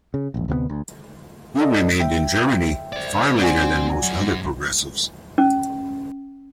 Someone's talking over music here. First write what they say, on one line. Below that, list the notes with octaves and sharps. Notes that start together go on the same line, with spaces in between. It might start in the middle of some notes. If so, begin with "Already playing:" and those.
He remained in Germany far later than most other progressives.
C#3
E1 A#1
D2 C3 F#3 B3
D2
A4 D5 D#5
E5 G5
C5 D5
C4 D5 F#5 G#5
F#2 F#4
C#4